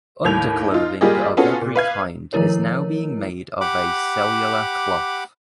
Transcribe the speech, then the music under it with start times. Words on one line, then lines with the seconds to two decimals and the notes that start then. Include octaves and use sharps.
Underclothing of every kind is now being made of a cellular cloth.
0.25 D#2 A2 G6 G#6 F7
0.71 D#4 F4
1.01 G3 A#3 F4 G4 G#4 D#5
1.37 B3 C#4 F4 F#4 G#4 A4
1.61 A#2
1.75 B4 F5 G#6
2.33 D#3 F3 A3 E4 A#4 C#5
3.61 G4 F#5 B5 D6